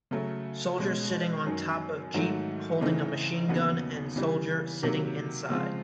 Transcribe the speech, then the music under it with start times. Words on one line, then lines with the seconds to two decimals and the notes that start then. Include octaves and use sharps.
Soldier sitting on top of Jeep holding a machine gun and soldier sitting inside.
0.11 C#3 F#3 A3
0.78 B2 G#3 C#4
1.46 F#2 D#3 F#3
2.14 G#2 D#3 F#3 A3
2.81 C#3 E3 A3 C4 D#4
3.49 D#2 C#3 F#3 B3 D#4
4.16 C#3 E3 G3
4.82 C3 D#3 F#3 A#3
5.50 C#3 F3 G#3 C4 F4